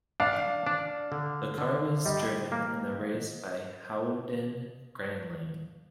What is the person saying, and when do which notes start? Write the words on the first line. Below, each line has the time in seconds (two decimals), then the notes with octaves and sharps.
The car was driven in the race by Howden Ganley.
0.20 D4 F5
0.67 D4
1.12 D3
1.58 D3
2.05 G3 D#5
2.52 A#3